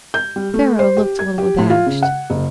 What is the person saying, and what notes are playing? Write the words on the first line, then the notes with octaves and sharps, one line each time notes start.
Pharaoh looked a little abashed.
G6
G3
A3
C5
G4
G#6
G4
A2
F4
C#3
F#5
F#1